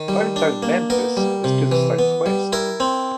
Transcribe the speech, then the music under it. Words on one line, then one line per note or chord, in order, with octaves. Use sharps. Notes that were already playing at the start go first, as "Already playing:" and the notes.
Downtown Memphis is to the southwest.
Already playing: D#3
G3
D4
A#3
B3 A#4
G3
C3
E3
B3
G3
E4 A#4
C4